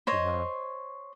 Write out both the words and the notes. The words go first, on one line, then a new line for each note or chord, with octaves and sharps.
You have.
C5 C#5 D#5